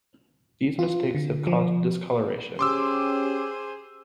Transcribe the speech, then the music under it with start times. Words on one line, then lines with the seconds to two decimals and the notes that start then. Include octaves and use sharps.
These mistakes have caused discolouration.
0.79 F4
1.15 D3
1.47 F3
2.59 C#4 G4 G#4 C5 C6 D6 E6